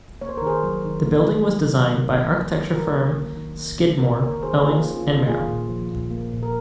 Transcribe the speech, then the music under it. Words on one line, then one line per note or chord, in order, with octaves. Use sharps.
The building was designed by architecture firm Skidmore, Owings and Merrill.
A#3 C#5
C5
A#4
D#3 G#4 C5
F#3
D#3
A#3
D#3
F#3
D#3
A#3
D#3
F#3
D#3
D#3 F#4 A#4
A#3
A#3
D#3
D#3
A#3
A#3 F#4 A#4
D#3 A#4 C#5
D#3 G#4 C5
A#3 F4 G#4
A#3
C#4 F4
D#3
A#3 F4 G#4
A#2
F3
A#2
A#3
A#2
A#4